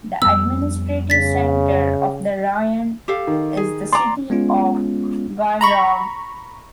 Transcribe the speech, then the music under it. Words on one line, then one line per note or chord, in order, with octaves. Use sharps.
The administrative center of the rayon is the city of Goygol.
F2 G3 B3 E6
C#3 A6 B6
G4 A4 F5
D#3
G#4
D5 A#5 C6 D6
G#3 B3 C#4 F4
A#5 B5 C#6